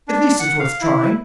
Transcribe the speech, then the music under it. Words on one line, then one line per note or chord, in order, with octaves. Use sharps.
At least it's worth trying.
D4
F#5
F5
E4